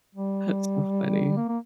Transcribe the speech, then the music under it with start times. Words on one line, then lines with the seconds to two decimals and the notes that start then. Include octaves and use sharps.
That's so funny.
0.15 G3
1.37 A#3
1.49 A#3